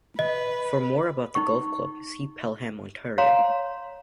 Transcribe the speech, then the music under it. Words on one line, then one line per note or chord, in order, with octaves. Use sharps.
For more about the golf club, see Pelham, Ontario.
B4 D#5
D#4 C#6
C#5 F5 A#5 C6